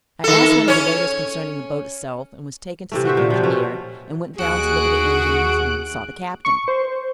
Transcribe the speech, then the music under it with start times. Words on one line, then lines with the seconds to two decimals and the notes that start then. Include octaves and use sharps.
I asked one of the waiters concerning the boat itself, and was taken to see the engineer, and went down to look at the engines, and saw the captain.
0.24 D#3 A4
0.68 C#4 C#5
2.92 C3 E3 A3
3.05 F#4 C5 E5
3.17 A#2
3.30 C3 F3
3.43 B2 A3 C#4
4.39 D#2 F#4 G#4 F#6 D7
6.45 C#6
6.68 C5